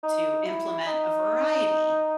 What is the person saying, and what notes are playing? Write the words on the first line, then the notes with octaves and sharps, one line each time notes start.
to implement a variety
D#4
E4
D#4